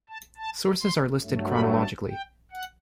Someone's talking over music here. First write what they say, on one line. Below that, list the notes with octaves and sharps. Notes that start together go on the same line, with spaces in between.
Sources are listed chronologically.
A5
A5
C6
G2 F#3 A3
B5
A5
G5
F#5